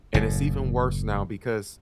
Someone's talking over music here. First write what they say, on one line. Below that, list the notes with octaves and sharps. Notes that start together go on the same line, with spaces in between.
And it's even worse now because
F#1 A2